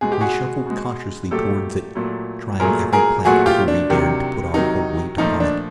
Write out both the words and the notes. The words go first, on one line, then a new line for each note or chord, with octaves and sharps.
We shuffled cautiously towards it, trying every plank before we dared to put our whole weight upon it.
B2 G#3 G#4
G4
F#4 G#4
B2 G#3
A#2 F#3 A3 G4 A4
A#2 F#3 A3
A#2 F#3 A3 G#4 A#4
G#4 A#4
A#2 F#3 A3 F#4 G#4
F4 G4
D4
C3 D#3 F#3
C3 D#3 F#3 D#4
A#2 F3 A3 D#4
D4